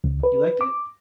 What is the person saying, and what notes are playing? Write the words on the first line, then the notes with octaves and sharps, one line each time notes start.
You liked it?
C#2
B4
D6